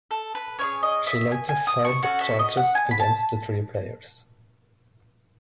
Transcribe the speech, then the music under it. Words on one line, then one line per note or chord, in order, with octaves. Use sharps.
She later filed charges against the three players.
A4
B4
C#4 E4 G#4 C#5
D#5
E5
G#5
G#5
D#6
C#6
C#4 F#4 A4 F#5
E5
D#5
F#5
G#5
B5
A5